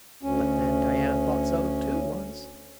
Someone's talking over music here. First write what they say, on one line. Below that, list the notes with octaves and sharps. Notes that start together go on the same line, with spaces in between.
But then Diana thought so too, once.
D2 C#4